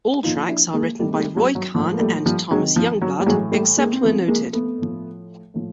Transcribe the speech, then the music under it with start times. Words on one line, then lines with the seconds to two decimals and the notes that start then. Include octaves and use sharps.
All tracks are written by Roy Khan and Thomas Youngblood, except where noted.
0.23 A#2 D#4 F4
0.26 F3
0.48 D4 E4
0.74 G#3 A#3
0.99 C3 D#3 G3 A3
1.13 G#3
1.18 G3 A3
1.36 F#3 G#3
1.55 F#3
1.75 A2 F3
1.94 A#3
2.00 G3 A3
2.26 F3 G3
2.51 C3 D#3 F#3 G#3
2.76 F3
3.02 F#3
3.20 G3
3.26 A2 E3 F#3 G#3
3.52 G3 A3
3.77 G#3 A#3
3.93 C4
4.03 C3 F3 A3 B3
4.28 G#3 A#3
4.53 A3 B3
4.78 A2 F3
5.54 A2 F3